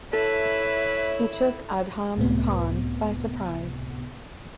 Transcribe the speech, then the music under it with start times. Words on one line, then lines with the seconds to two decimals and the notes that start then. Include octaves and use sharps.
He took Adham Khan by surprise.
0.13 E4 A4 B4 C#5 E5
2.17 C#2 A2 C3 B3